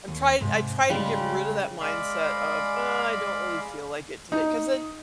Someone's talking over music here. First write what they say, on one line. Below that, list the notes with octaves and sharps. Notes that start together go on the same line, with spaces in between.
I'm try I try to get rid of that mindset of, "uh, I don't really feel like it today" 'cause then
D#2
G#2 C3
C#3 G3 G#3 C#4
G#3 D5 F5 B5
D#4